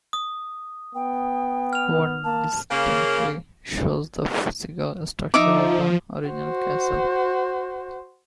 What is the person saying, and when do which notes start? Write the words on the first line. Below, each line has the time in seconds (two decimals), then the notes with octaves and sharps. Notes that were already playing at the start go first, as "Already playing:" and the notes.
One distinctly shows the physical structure of the original castle.
0.13 D#6
0.95 B3 G5
1.73 F6 F7
2.24 A#3 A5
2.71 C#3 A#3
5.34 F3 D#4 E5 D6
6.28 F#4 C5